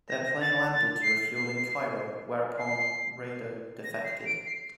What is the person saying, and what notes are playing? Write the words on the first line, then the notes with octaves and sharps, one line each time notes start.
Their plane landed to refuel in Cairo, whereupon Rado defected.
A#6
A6
A6
C7
C7
C7
A#6
C7
D7
C7